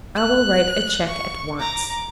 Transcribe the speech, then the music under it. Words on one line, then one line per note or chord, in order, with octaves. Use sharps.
I will write a cheque at once.'
F#6
C#6
A#5 D6